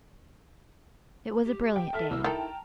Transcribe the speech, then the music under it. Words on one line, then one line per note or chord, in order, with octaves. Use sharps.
It was a brilliant day.
G4
G5
A4 E5 A5 F6
C2 E4 E6
D#3 A4 G5 A5 A#5